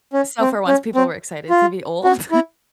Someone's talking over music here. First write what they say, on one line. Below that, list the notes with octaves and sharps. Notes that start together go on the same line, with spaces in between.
So, for once, people were excited to be old?
C#4
C4
C#4
C4
F4
F#4
E4